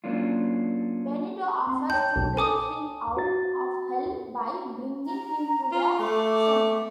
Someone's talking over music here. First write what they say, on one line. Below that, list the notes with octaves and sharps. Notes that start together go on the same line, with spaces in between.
Benito offers to take him out of Hell by bringing him to the center.
F#3 A#3 C#4 D4 F4
C4 C6
C#5 G5 A5 G6
B1
A4 G#5 D6 D#6
F#4 A6
A#5
F4
A3 D6